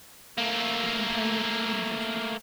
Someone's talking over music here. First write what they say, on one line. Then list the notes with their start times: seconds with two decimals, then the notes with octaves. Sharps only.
I complain of no injustice.
0.38 A3 A#3